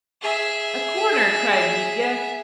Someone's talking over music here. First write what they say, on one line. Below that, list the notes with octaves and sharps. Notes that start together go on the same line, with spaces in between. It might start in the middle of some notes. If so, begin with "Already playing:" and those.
"A corner!" cried Mitya.
G#4 E5